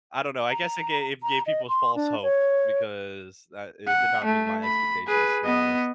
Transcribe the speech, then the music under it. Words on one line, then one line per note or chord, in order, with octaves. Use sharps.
I don't know, I guess, it gave it gave people false hope because that it did not meet my expectations, to be honest.
A#5
A#5
D#5
C6
D4
C#5
F#5
A3
B5
G#4 B4
B3 D#5